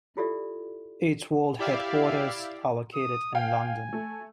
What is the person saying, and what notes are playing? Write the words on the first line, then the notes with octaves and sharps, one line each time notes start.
Its world headquarters are located in London.
E4 F4 G4 A4 D5 E5
E4 G4 D5 E5 F5
D#6
F5 G5 G#5
A3